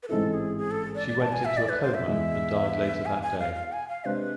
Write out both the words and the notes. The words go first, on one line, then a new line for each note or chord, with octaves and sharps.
She went into a coma and died later that day.
B4
A1 G#2 G#3 C4 E4 A4
G#4
G#4
A4
D5
D5
A5
G#5
E5
D5
B4
C5
E5
E2 B2 G#3
G#5
G#5
F5
F5
G#5
F5
C3 G#3 D4 G#4 B4 C5